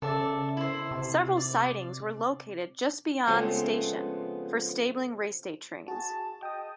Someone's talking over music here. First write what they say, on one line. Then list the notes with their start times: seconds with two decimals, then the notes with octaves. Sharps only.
Several sidings were located just beyond the station for stabling raceday trains.
0.02 C#3 A4 D5 E5
0.57 E4 C5
0.91 C3
1.37 D5
3.27 C#3 F3 G#3 A3 B3 C4
5.88 F#4 G#4 A5
6.43 D#5 G5 D#6